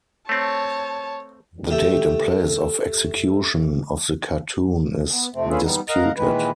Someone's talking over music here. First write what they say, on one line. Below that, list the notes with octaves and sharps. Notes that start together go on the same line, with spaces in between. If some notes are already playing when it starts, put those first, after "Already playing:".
The date and place of execution of the cartoon is disputed.
A3 C4 C#5 A5
A3 G4
B3
F2 C3 A3 C4
C#4 D4 F4 G#4 A4 B4
G3 B3 D#4
A#4 D#5 F5 F#5 A#5
A#2 D#3 E3 G#3 B4